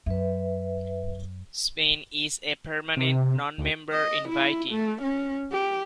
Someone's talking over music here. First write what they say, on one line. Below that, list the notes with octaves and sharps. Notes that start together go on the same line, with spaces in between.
Spain is a permanent non-member invitee.
F#2 B4 E5
C3
D2
D#5
E4
A3
C#4
G4